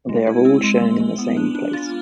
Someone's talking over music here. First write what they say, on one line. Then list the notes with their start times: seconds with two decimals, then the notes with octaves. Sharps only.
They are all shown in the same place.
0.09 G#3
0.27 E4
0.45 C4
0.63 G#3
0.82 G#3
1.00 G#3
1.18 B3
1.37 D4
1.55 D4
1.73 F4